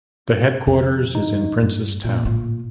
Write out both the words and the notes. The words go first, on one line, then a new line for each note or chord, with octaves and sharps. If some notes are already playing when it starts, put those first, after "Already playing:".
The headquarters is in Princes Town.
F2 D3
D#4
G2
A#2 D3
A2 F4